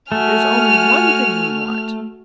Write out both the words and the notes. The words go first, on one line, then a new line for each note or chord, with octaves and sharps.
"There's only one thing we want."
A3 F#4 G#5 F6